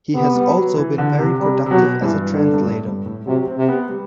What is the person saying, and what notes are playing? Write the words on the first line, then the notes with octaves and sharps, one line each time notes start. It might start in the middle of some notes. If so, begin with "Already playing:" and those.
He has also been very productive as a translator.
C3 B3
G3
F#3
E3
D3
C3
C3 G3
C3
B2 F#3
G2 E3
D3
G2
A2
G2
A2
C3 F#3
C4
C3
B3
G3